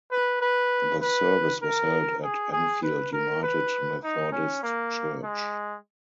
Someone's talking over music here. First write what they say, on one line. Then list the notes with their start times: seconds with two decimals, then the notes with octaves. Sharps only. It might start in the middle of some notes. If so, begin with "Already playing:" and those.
The service was held at Enfield United Methodist Church.
0.12 B4
0.41 B4
1.02 B4
1.62 A#4
2.23 G#4
2.52 G#4
2.83 B4
3.13 A#4
3.43 B4
4.03 D#4
4.32 C#4
4.63 A#3
5.23 G#3